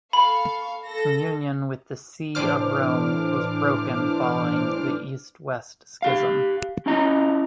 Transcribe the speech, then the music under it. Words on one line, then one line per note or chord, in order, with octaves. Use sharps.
Communion with the see of Rome was broken following the East-West Schism.
A4 F5 B5 C#6
A4 A#6
A2 E3 D4 C5 D6 F6
G4 F5
C#4 E4 F4 D#5 A#5